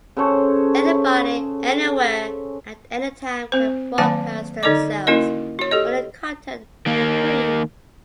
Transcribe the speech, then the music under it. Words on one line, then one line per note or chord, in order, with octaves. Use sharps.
Anybody, anywhere, at any time can broadcast themselves or their content for free.
C#3 A4 C5 C#5
C4 C5
D#3 F#3 A#3 F5 G#5 A5
D3 D#4 A4 D5 D#5 D6
A#3 C#4 E4 F#4 A#4 D#5
F#4 C#5
G4 A4 D#5
D#3 A#3